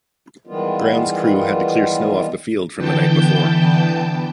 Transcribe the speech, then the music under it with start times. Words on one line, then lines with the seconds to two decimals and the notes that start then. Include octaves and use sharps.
Grounds crew had to clear snow off the field from the night before.
0.47 D#3 E3 G3 G#3 B3 F4
2.76 D3 E3 B3 G5 A5 G6